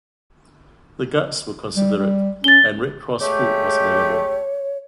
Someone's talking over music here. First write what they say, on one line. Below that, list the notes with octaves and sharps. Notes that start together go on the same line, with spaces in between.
The guards were considerate, and Red Cross food was available.
G3
G3
C#4 A6 G7
G#3 A3 G4 C#5